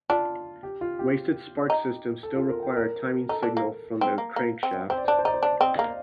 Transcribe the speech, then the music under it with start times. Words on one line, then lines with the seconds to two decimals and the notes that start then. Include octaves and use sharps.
Wasted spark systems still require a timing signal from the crankshaft.
0.10 D4 F4
0.63 G4
0.81 F4
0.99 G4
1.70 D#4
2.23 A4
2.36 F4
2.49 A#4
2.63 G5
2.77 A#4
3.29 D#4 A4
3.43 D4
3.57 A#3
4.01 C4
4.18 A#3
4.36 A#3
4.63 C4
4.90 C4 C5
4.98 D5
5.05 C5
5.08 D4 D5
5.19 C5
5.25 D#4 D5
5.34 C5
5.43 D4 D5
5.61 C4 D#5
5.78 A#3 F5